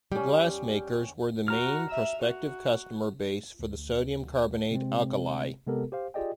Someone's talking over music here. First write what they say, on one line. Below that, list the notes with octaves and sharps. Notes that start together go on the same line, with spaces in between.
The glassmakers were the main prospective customer base for the sodium carbonate alkali.
G3 C#4 G5
F#4 A#5 F6
E5
F#4
D2
C3 G#3 C4
C3 G#3 B3 G4 A4 A#4
G4 C5 F5
F4 G4 G#4 D5 D#5 G5